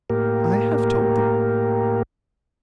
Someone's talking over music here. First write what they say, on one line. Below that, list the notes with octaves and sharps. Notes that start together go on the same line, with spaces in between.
"I have told them."
A2 A#3 G4 A#4